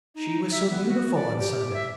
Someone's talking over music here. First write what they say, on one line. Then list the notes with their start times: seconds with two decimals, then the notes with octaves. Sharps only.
She was so beautiful on Sunday.
0.15 D#4
0.51 E5
0.70 B3
0.88 F#4
1.14 D5
1.39 G4
1.73 E5